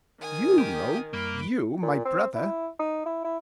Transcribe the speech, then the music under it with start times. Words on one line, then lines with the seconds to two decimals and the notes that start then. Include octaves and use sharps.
"You know,--you, my brother."
0.21 D#3 G#5 D#6
0.58 G4
1.13 F#2 G3 A#3 B5
1.82 A#2
2.05 C4
2.35 E4
2.79 D#4
3.06 E4
3.24 E4